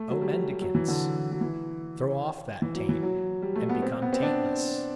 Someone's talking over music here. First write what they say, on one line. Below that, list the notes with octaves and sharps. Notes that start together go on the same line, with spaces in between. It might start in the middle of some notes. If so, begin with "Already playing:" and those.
O mendicants! throw off that taint, and become taintless!
Already playing: A3
F#3
G3
F#3
E3
D3
F#3
E3
E3
F#3
E3
F#3
G3
A3
B3
C4
B3
C4
D4